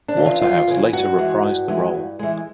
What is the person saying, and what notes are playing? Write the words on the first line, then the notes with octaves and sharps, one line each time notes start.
Waterhouse later reprised the role.
D4
C#3 E3
F4
E2 F4
C#3 E3
G2 F#4
E3 G#3
G2
E3 G#3
G2
E3 G#3